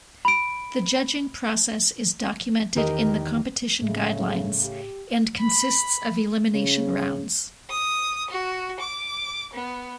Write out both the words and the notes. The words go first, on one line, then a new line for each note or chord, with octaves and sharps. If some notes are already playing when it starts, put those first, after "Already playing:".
The judging process is documented in the competition guidelines and consists of elimination rounds.
B5 D7
E2 D#3 G4 A#4 D#5
A2 C#3 G#3 A3
G4
B5
C#3
D#6
F#4
D6
B3